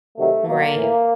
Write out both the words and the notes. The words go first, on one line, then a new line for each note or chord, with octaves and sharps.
Mm, right.
C3 D#3 F#3 A3
B2 F#3 A#3
A2 E3